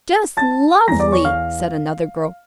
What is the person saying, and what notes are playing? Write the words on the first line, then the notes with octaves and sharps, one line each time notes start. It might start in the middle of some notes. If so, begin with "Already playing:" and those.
"Just lovely!" said another girl.
A5 A6
E2 E3 A#5 A#6
D5 D6
C#5 C#6
F5 F6